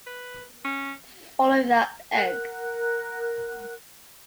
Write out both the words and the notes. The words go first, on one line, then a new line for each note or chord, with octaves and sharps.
Follow That Egg!
B4
C#4
A#4 F#5 F#6